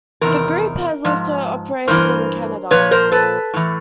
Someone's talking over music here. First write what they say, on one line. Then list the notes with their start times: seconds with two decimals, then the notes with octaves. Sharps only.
The group has also operated in Canada.
0.21 E2 C3 D#3 A#4
1.05 G#2 F3
1.88 G2 E3 A#4 C5
2.71 A#2 F3 B4 C#5
2.91 A#4 C5
3.12 A4 B4
3.54 A2 E3